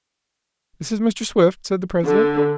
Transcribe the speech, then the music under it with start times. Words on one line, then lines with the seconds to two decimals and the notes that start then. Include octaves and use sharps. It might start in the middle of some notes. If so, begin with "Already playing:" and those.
"This is Mr. Swift," said the president.
2.04 D3